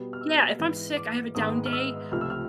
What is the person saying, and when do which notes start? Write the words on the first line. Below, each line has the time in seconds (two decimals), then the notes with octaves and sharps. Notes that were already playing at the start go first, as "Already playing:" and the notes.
yeah, if I'm sick, I have a down day,
Already playing: B2 G3 B3
0.13 F6
0.21 E6
0.59 G#2 E3 G#3 B3
0.97 D6
1.35 G#2 D#3 G#3 B3 D#6
1.66 F6
1.73 E6
2.11 C#2 C3 F3 A3 F6
2.21 E6
2.30 F6